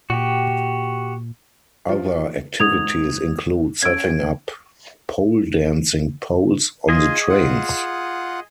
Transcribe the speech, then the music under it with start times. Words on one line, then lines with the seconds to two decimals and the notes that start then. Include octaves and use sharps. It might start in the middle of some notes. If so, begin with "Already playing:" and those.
Other activities include setting up pole-dancing poles on the trains.
0.10 A#2 F#4 G4
1.89 F3
2.60 G#2 D#6 G#6 F7
3.82 C#4 E6 G#6 D7
6.89 F4 G#4 D#5
7.29 F4 F#5